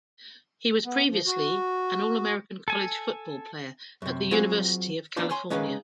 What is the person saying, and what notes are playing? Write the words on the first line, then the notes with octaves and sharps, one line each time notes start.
He was previously an All-American college football player at the University of California.
B3
F3
F#4
A4 G#5
F#2 C3
F#3 C4 F4 F#4 G#4 C5
A#3 B3 D4 D#4 F4
C#5 G#5 C6
G#3 C#4 D#4 B4 F5